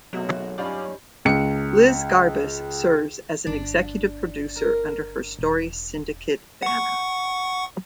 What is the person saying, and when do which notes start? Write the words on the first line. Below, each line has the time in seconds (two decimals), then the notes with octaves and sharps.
Liz Garbus serves as an executive producer under her Story Syndicate banner.
0.13 G#1 B2 F#3 A3 F#4
0.58 G2 C#4 D#4 F4 G4 D5 B5
1.25 C#2 C#7
3.46 G1 D4 D5
4.56 A#4
5.39 E1
6.62 F#5 C#6